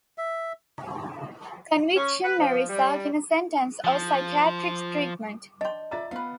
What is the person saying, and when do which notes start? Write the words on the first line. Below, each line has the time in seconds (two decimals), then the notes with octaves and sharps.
Conviction may result in a sentence or psychiatric treatment.
0.18 E5
1.96 C#4
2.23 B4
2.39 F3
2.69 G3
3.84 F3
5.61 D4 D#5 G5 C6
5.91 F4 D5 E5 A#5 A6
6.11 B3 B4 F5